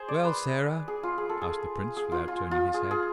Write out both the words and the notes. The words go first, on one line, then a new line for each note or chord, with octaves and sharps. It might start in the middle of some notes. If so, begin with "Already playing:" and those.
"Well, Sarah?" asked the prince, without turning his head.
Already playing: G#4 C5
D5
B4
G#4
F4
G#4
A4
G#4
G#4
F4
F4
F4
G#4
G#4